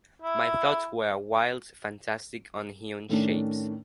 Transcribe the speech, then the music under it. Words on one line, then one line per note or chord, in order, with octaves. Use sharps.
My thoughts wear wild, fantastic, unhewn shapes.
E4
A2 D#3 A3 C#4 D4